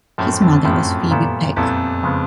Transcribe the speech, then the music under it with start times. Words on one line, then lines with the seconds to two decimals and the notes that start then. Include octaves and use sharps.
His mother was Phebe Peck.
0.18 F#2 A2 F3 A3
0.41 F2
0.64 F#2 A2 F3 A3
1.11 A#2 G3 B3 E4 A4
1.56 F2 A#2 G3 B3 E4 A4
2.03 C#3 F3 G#3 B3